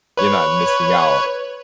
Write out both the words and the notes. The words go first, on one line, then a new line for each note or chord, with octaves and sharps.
you're not missing out.
B4 C#5